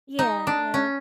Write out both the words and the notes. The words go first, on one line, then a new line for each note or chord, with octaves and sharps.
Yeah, yeah.
D#4
D4
C#4